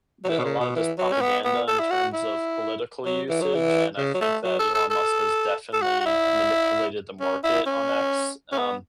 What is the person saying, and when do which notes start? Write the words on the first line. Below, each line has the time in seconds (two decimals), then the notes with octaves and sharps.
that a lot of this propaganda in terms of political usage, and I think that Elon Musk has definitely manipulated the market on X, um,
0.25 F#3
0.29 E3
0.39 B2
0.45 C#3
0.60 B2
0.75 E3
0.98 F#3
1.12 C#4
1.22 B3
1.44 B3
1.68 A4
1.80 E4
1.90 F#4
2.13 E4
3.05 F#3
3.29 E3
3.42 F#3
3.54 E3
3.98 C#3
4.14 F#3
4.21 A3
4.44 F#3
4.59 A4
4.75 A4
4.91 A4
5.73 A4
5.82 F#4
6.01 F#4
6.06 E4
7.21 C#4
7.44 E4
7.66 C#4
8.52 C#4
8.58 B3